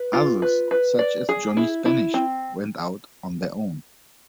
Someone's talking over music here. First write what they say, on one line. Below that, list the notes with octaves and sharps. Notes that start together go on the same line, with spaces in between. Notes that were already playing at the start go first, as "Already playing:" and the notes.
Others, such as Johnny Spanish, went out on their own.
Already playing: B4
F4
B4
B4
D5
G#4
E4
E4
C4